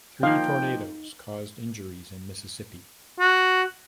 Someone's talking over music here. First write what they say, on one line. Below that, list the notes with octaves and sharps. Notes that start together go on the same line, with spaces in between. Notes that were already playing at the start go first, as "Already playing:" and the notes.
Three tornadoes caused injuries in Mississippi.
F3 A#3 D#4 F5 G5
F#4